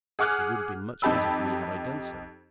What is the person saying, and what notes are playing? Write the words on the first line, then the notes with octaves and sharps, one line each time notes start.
It would have been much better for me had I done so.
G#4 F#5 D6 F6 F#6
F2 D#4 G4 A5 B5 E6